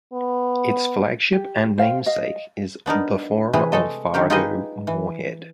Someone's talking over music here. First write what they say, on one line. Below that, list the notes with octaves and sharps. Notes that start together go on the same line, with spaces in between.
Its flagship and namesake is "The Forum of Fargo-Moorhead".
B3
G4
C5 F5 G5
D#5 F5
B3 D4 D#4 A#4
C3 E3 G3 G#4 B4
G#3 A3 A4 D#5
D3 D#3 G4 A#4
D#4 F4 G4 G#4 B4 D#5
E3